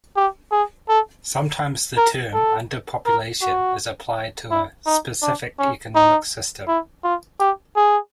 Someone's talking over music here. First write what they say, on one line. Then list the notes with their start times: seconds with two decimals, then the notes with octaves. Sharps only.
Sometimes the term underpopulation is applied to a specific economic system.
0.16 G4
0.52 G#4
0.89 A4
1.97 A#4
2.34 A4
3.06 A#4
3.42 F#4
4.51 E4
4.86 D#4
5.22 D4
5.59 C#4
5.95 D#4
6.67 E4
7.04 F4
7.40 G4
7.76 G#4